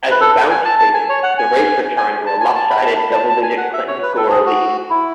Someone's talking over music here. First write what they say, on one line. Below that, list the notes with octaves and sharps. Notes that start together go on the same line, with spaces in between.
As the bounce faded, the race returned to a lopsided double-digit Clinton-Gore lead.
B4
A4
G#5
A5
A5
G#5
C#5
F#5
G#5
G#5
A5
G#5
A5
B5
A5
B5
A5
A5
G#5
F#5
E5
C#5
B4
A4
G#4
F#4
E4